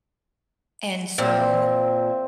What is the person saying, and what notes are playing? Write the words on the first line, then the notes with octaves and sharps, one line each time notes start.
And, so,
A#2 C4 E5